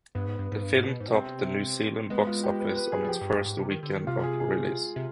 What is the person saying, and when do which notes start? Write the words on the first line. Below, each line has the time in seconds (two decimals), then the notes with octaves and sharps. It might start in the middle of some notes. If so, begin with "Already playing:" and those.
The film topped the New Zealand Box Office on its first weekend of release.
0.15 G2 B3
0.26 G#2
0.39 G2
0.52 G#2
0.63 G2
0.76 G#2
0.88 B2
1.00 G#2
1.08 B2
1.12 C3 C4
2.10 G#3 B3
2.27 F4
2.43 G4
2.60 B4
2.76 B4
2.92 G#4
3.04 G3
3.08 F3 G4
3.21 G2
3.34 G2
3.46 G#2
3.57 C3
3.70 D#3
3.83 D3
3.95 D#3
4.07 C3 F4
4.24 G#4
4.40 G#4
4.96 C3